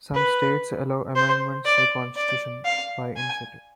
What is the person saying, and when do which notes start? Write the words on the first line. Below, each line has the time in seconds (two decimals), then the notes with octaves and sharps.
Some states allow amendments to the Constitution by initiative.
0.14 B4
1.15 C5
1.65 D5
2.16 D5
2.65 F5
3.16 G#5